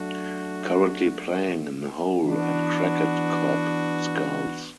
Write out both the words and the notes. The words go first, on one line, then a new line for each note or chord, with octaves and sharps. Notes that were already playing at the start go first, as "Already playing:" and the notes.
Currently playing in Howl and Cracked Cop Skulls.
Already playing: F#3 A3 D4 F#4
E3 B3 D4 F#4